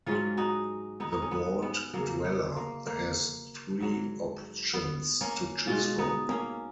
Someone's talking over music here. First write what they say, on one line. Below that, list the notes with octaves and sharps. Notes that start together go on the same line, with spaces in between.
The Vault Dweller has three options to choose from.
G#2 F#3 C#4 F4
D#4 F#4
B3 D#4
D#4
C#4
B3
B3
C#3 F#3 A#3
B3
A#3
A#3
G#2 F#3
B3
A#3 C#4
B2 G#3 C#4 F4
B3 D#4
A#3 C#4